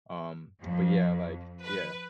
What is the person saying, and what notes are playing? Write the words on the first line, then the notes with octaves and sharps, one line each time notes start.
Um, but, yeah, like Yeah.
F2
B4